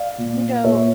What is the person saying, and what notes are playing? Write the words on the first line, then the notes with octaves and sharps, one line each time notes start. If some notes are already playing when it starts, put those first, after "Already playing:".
You know,
Already playing: D5 F5
A#2
A#2 C#5 E5